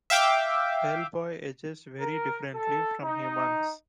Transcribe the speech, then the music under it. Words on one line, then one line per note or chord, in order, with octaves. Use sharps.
Hellboy ages very differently from humans.
E5 F5 G5 D6
A#4
A4
D#4